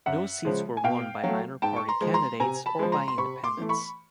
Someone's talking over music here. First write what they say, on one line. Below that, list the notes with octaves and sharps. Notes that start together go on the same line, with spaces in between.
No seats were won by minor party candidates or by independents.
F#2 E5 F#5
C#3 F3 G#3
G#5
B2 F5 G5
F#3 A3
G#2 G5 A5
C#6
A#5 C6
F3 G#3
A#5 C6
C3 G#5 A#5
A5 B5
F3 G#3
A#5 C6
C6
C3 B5 C#6
C6 D6
E3 A3
B5 C#6